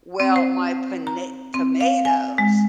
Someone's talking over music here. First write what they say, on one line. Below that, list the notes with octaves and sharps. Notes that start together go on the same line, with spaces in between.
Well, my pona tomatoes
C4
C5
A#5
C4
F5
G#5
G#3